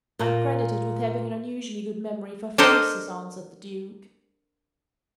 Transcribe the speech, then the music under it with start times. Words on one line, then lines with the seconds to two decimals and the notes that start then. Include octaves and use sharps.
"I'm credited with having an unusually good memory for faces," answered the Duke.
0.19 A#2 A#3
2.58 D4 A4 A#4 C5 D#5